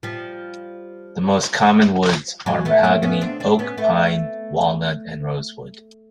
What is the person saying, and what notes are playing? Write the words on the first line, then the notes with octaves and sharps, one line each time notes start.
The most common woods are mahogany, oak, pine, walnut, and rosewood.
F3 G3
F#3 G#3
A3 B3
A#3 C4
B3 C#4
C4 D4
C4 D4
B3 C#4
A3 B3